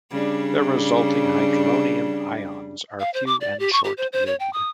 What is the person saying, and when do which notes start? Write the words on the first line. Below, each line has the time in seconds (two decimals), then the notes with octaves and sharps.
The resulting hydronium ions are few and short-lived.
0.11 C#3 G3 D4
3.00 F5
3.14 C5
3.26 D6
3.41 D5
3.59 G4
3.72 C#6
3.84 G4
3.97 C5
4.13 C5
4.26 C#5
4.40 G5
4.53 D#6